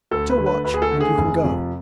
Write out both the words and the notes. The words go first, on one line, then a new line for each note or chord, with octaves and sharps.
Til watch, and you can go.'
D2 A4
B4
D3 A3
B4
D2 B4
G#4
A4
D3 A3
G#4
F1
F2 C3 F3